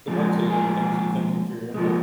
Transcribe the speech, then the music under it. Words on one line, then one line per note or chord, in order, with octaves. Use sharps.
good luck to you, and thanks you thank you for your input.
A#2 F3 G#3 A#3
G#4
A#2 F3 G#3